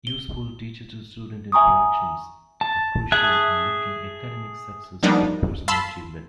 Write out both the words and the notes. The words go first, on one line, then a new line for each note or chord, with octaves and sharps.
Useful teacher-to-student interactions are crucial in linking academic success with personal achievement.
G7
E5 G#5 A#5 C#6 D#6
A5
G#4 E5 A5 F#6
F3 G3 A#3 B3 D4 D#4
F5 A5 B5 C6 E6